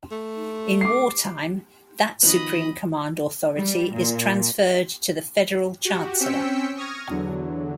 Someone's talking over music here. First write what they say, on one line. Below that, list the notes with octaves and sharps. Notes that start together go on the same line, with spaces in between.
In wartime, that supreme command authority is transferred to the "Federal Chancellor".
A3
D6 C7
D#3 F3 B3 D#5 B5
G3
A#2
F#4 G4
C4 C#4 G5 E6 B6 C#7
C#6 D#6 F6 G#6 A#6
E2 D3 F#3